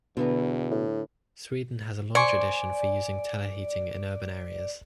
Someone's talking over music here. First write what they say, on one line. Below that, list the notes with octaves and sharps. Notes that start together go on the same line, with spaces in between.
Sweden has a long tradition for using teleheating in urban areas.
E2 B2 D3 B3 A#5
A2
C5 D5 G#5 C#6